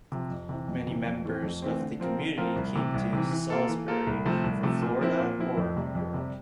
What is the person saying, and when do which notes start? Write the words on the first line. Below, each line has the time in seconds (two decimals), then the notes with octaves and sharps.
Many members of the community came to Salisbury from Florida or New York.
0.12 C3 F3
0.30 F2
0.49 C3 E3
0.68 F2
0.87 C3 E3
1.06 F2
1.25 E3 A3 C4
1.43 F2
1.62 E3 A3 C4
1.81 D3
2.00 F3 C4 F4 A#4
2.18 D3
2.38 F3 C4 F4 A#4
2.56 C2
2.75 C3 E3
2.94 C2
3.13 C3 E3
3.31 E3
3.50 A#3 F4 A4
3.69 E3
3.88 A#3 F4 A4
4.07 C2
4.26 C3 F3 A3
4.44 C2
4.63 C3 F3 A3
4.82 A#2
5.01 F3 C4 E4
5.20 A#2
5.39 F3 C4 E4
5.57 F2
5.76 C3 G3
5.95 F2
6.14 C3 G3